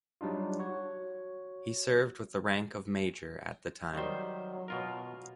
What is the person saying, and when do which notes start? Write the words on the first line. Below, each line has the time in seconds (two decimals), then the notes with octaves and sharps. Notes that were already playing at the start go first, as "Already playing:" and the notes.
He served with the rank of Major at the time.
0.21 F#3 G3 D4 D#4 F4
0.59 F#4 C#5
3.94 D#3 F#3 G3 C5
4.68 B2 F4 A#4